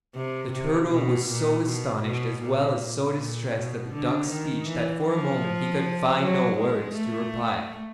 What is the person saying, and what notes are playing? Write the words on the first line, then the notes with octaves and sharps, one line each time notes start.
The turtle was so astonished as well as so distressed at the duck's speech that for a moment he could find no words to reply.
C3
C3
B2
A#2
B2
B2
A#2
A#2
B2
D3
D#3
E3
F3
F#3
G#3
A3